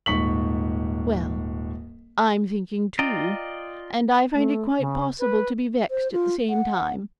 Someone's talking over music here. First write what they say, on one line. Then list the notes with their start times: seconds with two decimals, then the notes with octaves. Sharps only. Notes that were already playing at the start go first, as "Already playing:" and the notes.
'Well, I'm thinking too, and I find it quite possible to be vexed at the same time.
0.06 D#1 G#2 C#6 B6 F#7
2.99 F4 D5 D#5 G5 A#5
4.34 A3
4.79 C#3
5.19 B4
5.89 C5
6.12 F4
6.50 F#5